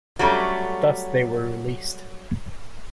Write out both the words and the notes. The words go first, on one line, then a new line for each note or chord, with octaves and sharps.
Thus they were released.
F#3 G3 A3 C#4